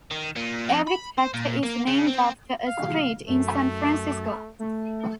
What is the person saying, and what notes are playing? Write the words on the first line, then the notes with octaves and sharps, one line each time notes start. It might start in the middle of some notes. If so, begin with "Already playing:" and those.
Every character is named after a street in San Francisco.
D#3
A#2
F2
B5
C5
A#2
A#3
C#3
C4
F5
F#2 A3
A3